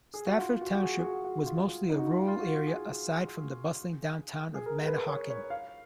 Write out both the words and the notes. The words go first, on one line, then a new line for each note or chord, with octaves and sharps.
Stafford Township was mostly a rural area, aside from the bustling downtown of Manahawkin.
G#4
F#4
F4
F#4
F#4
G#4
G#4
F#4
F#4
F4
D#4
F#4
F4
F4
F#4
G#4
G#4
A#4
B4
C#5
C#5
F5